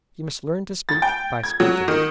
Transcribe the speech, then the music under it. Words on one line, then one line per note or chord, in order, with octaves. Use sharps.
You must learn to speak by speaking.
A6
G5
G#6
F#3
D#3